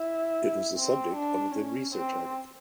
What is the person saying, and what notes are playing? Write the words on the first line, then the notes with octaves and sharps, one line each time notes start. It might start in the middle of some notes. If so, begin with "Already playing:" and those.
It was the subject of the research article.
Already playing: E4
C4
D4
C#4
C4